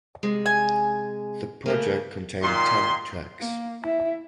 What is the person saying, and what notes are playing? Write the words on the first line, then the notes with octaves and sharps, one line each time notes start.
The project contained ten tracks.
C3 G#3
G#5
C#3 A3 A#3
A#2 D#3 C6
A#3
E4 E5